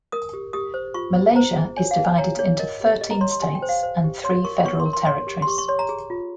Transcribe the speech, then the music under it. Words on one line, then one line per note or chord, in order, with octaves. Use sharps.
Malaysia is divided into thirteen states and three Federal Territories.
A#4 D#6
G4
G4 D#6
C5
F4 C#6
C5
C5 A#5
G#4
C#5 G#5
F5
G#4
G#5
C#5 A#5
G#4 C#5
A#4 D#5
G4
G4 D#5
A#5
C#5 C6
C6
G4 G#5
G5
C5
F5
C5
G4
C#5 C6
A#4 C#6
C#5 C#6
C6
A#4
C6
C#5 C6
G4
C6
G4 C#6
C#6
C#5 C6
A#5
G#4
F4